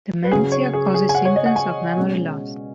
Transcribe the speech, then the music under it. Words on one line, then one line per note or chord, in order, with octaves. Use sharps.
Dementia causes symptoms of memory loss.
B4
C#3 F#3 C#4 G#4
C#5
G#4
G#4
G#5
F#5
C#5
D#5
F#5
G#5
B2 G#3 C#4